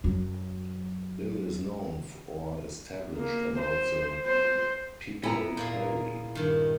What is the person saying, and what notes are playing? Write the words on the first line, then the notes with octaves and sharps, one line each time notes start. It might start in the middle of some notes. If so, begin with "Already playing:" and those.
Little is known or established about the Pichal Peri.
F#2 F#3
A#3
C5
C5
B3 E4 G#5 A#5
A#2 A#3 G#4
G2 D#3